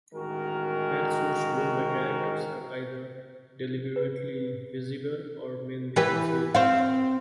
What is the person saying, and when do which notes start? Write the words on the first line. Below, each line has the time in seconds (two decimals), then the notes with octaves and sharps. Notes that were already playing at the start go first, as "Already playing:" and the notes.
Fatsuits worn by characters are either deliberately visible or mainly concealed.
0.14 A1 D#3 G#3 F#4 A#4
3.96 B4
5.96 E3 G4 B4
6.55 C4 F5